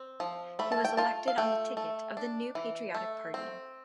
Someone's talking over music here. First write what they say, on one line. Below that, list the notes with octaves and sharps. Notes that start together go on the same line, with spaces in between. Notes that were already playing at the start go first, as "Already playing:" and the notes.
He was elected on the ticket of the New Patriotic Party.
Already playing: C4
F3
A3 B5
A5
G5
F4 A5
F5
A3 G5
A3
D4
E3
A3
C4